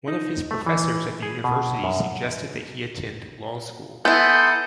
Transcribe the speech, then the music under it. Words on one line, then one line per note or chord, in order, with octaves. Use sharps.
One of his professors at the university suggested that he attend law school.
D#4
A3
E3
G#4
B2
F#2
B3 E4 A4 G#5 C6 D#6 G6